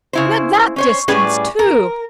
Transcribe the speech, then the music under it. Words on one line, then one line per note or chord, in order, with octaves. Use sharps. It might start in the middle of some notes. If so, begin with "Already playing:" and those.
And at that distance, too!
C#3 E4 C5
C#4 C5 C#5
A2 G3 C#4 G#4 B4
A#4